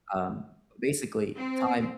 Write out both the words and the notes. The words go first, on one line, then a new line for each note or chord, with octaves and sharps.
um, but basically, time
C4